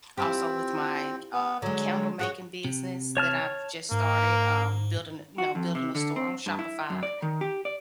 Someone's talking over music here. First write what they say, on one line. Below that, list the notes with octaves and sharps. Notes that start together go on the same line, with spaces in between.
also with my, uh, candle making business that I've just started, um, building, you know, building a store on Shopify.
C4 E4 F4 G4
B3
D3 F#3 G#3
F#4 G#4 C#5 F#5
C3
C#5 A5 F6
G#2 A#3
F#4
F2
C3
D3
C4
G2
E4
F#2
D5
D#3
G4
D5